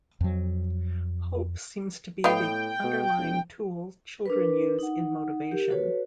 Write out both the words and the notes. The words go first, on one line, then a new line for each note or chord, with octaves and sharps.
Hope seems to be the underlying tool children use in motivation.
F2 F#3
A2 B3 D#5 F5 G5
B2
E1
D4 A#4 B4
D#4 F#5
G4 A#4
F#4 A4 B4 C#5